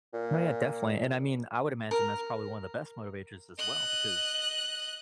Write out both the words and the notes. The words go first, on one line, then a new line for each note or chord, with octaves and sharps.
No, yeah, definitely, and I mean, I would imagine that's probably one of the best motivators as well, because,
A#2
A#4
D#5 F#6